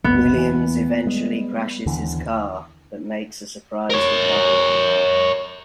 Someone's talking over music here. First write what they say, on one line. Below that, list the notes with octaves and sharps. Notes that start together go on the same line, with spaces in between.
Williams eventually crashes his car, but makes a surprise recovery.
F#1 C2 B3
E2 E3
G3 G#3
D#2 D3 E3
A#4 C#5